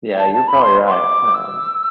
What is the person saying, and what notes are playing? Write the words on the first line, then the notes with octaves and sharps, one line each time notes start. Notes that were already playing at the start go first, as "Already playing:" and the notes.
Yeah. You're probably right. Um,
G5
A5
A5
B5
C6
C6
D6
E6